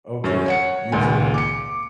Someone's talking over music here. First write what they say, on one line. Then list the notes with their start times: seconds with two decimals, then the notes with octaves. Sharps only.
Okay, you too.
0.24 F#2 C#4
0.46 C#5 F#5 C#7
0.92 G#1 C#2 A#2 G#5
1.34 D6 C#7